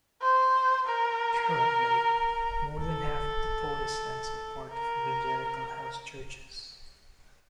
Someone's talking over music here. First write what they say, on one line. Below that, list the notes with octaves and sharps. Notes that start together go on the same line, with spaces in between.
Currently, more than half of the Protestants are part of evangelical house churches.
C5
A#4
A4
A#4